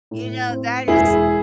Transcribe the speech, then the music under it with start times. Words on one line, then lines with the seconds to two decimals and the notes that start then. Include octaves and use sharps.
You know, that is
0.11 A2
0.50 C4
0.88 E1 E4 G#4